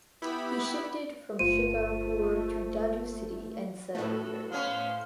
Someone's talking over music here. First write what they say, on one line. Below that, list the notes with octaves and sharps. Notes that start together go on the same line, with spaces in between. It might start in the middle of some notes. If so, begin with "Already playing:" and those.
He shifted from Shikarpur to Dadu city and settled here.
B3 E4 G4 B5
G1 A3 F4 C5 D#7
A2 A3 F#4 A4
B3 C#4 C5 F5 C6